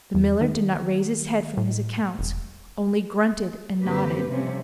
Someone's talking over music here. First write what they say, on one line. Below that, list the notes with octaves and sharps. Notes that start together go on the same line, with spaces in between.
The miller did not raise his head from his accounts; only grunted and nodded.
E2
D#3
A2
E1
F#2 D3 A#3 C4 G4 B4
C3 F3 G3 A3 C#4